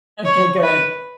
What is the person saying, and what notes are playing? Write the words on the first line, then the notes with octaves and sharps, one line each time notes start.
Okay, good.
C#5
B4